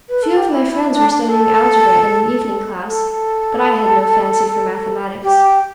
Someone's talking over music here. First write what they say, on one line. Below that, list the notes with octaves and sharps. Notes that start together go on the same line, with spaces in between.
A few of my friends were studying algebra in an evening class, but I had no fancy for mathematics.
B4
A4
G4
E4
E4
D4
D4
A4
A4
G4